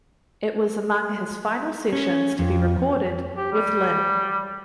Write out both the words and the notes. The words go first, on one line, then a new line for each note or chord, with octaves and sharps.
It was among his final sessions to be recorded with Lynn.
C#4
F2
G4
G3